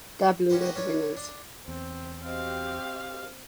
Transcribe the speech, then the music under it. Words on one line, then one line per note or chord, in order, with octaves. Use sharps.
Dublin were the winners.
C#4 F#4 G4 B4 C5
F#4 G4 B4 D#5
C#4 D4 B4 C#5
D4
E2 C4
C4 F#4 G4 D#5 F5